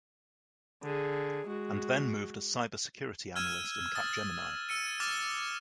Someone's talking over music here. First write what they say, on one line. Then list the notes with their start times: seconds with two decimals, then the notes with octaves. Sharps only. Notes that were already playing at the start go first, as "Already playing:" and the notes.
And then moved as Cyber Security analyst in Capgemini.
0.83 D3 G#4
1.47 G#3 F#4
3.36 E6 F6 G#6 D#7 E7
3.95 D#6 A6
4.69 E6 C#7 D#7
5.00 D6 F6 A6 E7